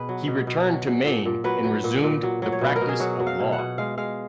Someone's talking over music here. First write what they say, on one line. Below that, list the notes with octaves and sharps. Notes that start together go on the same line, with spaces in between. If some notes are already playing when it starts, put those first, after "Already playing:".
He returned to Maine and resumed the practice of law.
Already playing: B2 G#4 B4
F#3
B2
B2
F#3
F#3
A#2
A#2
F#3 B4
F#3
A#2
A#2
F#3
F#3
C#5
B2 B4
A#4
B2
G#4
F#3 F#4
F#3
F5
B2
F#5
B2
G#3 F5
G#3 F5